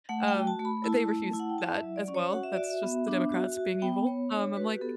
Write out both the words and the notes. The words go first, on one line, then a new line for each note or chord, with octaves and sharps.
Um, they refused that as well, that's just the Democrats being evil, um, I'm like
A3 F#5
G5
F#4
A5
A3
B5
E4 A5
A3
E4
F#5
G5
E4 A5
E5
F#3
D5
C#4
C#5
F#4 F#5
E5
F#4 D5
E5
B3
D4
F#4
F#4
B3 G5
B3 C#5
D4 C#5
F#4 B4
G4
B3 A4